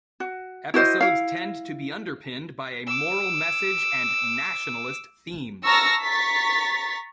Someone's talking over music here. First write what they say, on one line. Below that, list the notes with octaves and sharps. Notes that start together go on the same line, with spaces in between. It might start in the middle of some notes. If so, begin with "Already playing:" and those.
Episodes tend to be underpinned by a moral message and nationalist themes.
F#4
E4 F#4 C5 D#5
E4 F5
D6 E6
A5 A#5 C#6 E6 F6 A#6
A#5 C#6 A6 B6